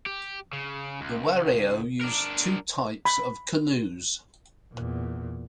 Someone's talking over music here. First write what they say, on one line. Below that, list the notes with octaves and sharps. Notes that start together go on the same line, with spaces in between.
The Warao use two types of canoes.
G4
C#3
C#2
D4 A#4
B5
E2 A#2